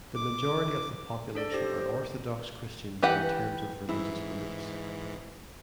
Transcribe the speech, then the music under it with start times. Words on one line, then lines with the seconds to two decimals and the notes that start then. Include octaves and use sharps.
The majority of the population are Orthodox Christians in terms of religious beliefs.
0.15 D6
1.35 D4 A4 D5
1.52 G4 C5 A#6
3.03 E3 G4 B4 F#5
3.89 G#2 E3 E4